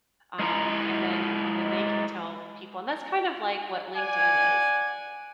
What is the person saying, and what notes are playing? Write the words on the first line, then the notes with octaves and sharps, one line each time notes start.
um, and then and then, they can tell people and that's kind of like what LinkedIn is,
G#3 D#4 E4 A#5
D5 F#5 G#5